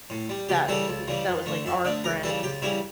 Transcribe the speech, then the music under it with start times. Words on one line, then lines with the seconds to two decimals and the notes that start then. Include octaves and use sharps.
that b that was, like, our friends.
0.10 A2
0.29 G3
0.49 C#2 G4
0.68 C#3 E3 G3 A4
0.88 C#2
1.07 C#3 E3 G3
1.27 F2
1.46 D3 A3
1.65 F2 E5
1.85 D3 A3 D5
2.04 C#2 A#4
2.23 C#3 E3 G3 A4
2.43 C#2 G4
2.62 C#3 E3 G3 E4